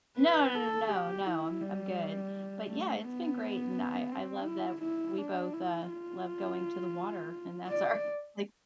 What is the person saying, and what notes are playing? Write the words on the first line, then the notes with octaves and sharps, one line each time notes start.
No, no, no, no, no I'm I'm good, but, yeah, it's been great, and I I love that we both, uh, love going to the water, and that's our, like
B4
A4
G4
E4
G3
A3
B3
C4
E4
E4
D4
E4
F4
D5